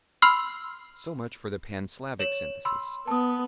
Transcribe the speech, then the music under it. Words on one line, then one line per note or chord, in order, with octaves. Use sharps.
So much for the Pan-Slavic synthesis.
B5 C6 E6 F6 C7
C#5 E7 F#7
B5 C6 E6
B3 A5 D#6